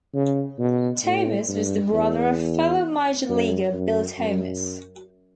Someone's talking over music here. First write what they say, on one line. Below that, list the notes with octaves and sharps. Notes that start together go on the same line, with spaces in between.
Thomas was the brother of fellow Major Leaguer, Bill Thomas.
C#3
B2
A2
G2
E2
F#2
F#2
F#2